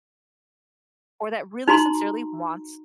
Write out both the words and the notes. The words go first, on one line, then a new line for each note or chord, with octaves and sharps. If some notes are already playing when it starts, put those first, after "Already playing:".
or that really sincerely wants
D#4 F#4 A#5 C6